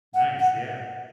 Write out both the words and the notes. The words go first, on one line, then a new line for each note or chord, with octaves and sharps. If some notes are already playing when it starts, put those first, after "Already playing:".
Nice, yeah.
F#5
F#5